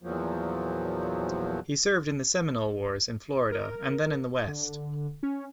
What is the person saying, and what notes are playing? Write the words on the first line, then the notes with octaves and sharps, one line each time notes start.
He served in the Seminole Wars in Florida and then in the West.
E2 A#2 F3 F#3
A#4
D3
C#4